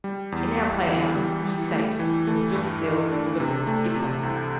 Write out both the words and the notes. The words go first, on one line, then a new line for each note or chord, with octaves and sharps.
In our play hours she sate, or stood still, with a book, if possible.
G3
E2
G3
E3
G3
G3
A3
E3
A3
G2
E3
D4
C3
A3
C3
C2